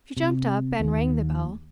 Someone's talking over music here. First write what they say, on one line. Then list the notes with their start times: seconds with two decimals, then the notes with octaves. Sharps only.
She jumped up, and rang the bell.
0.17 C3
0.80 D#2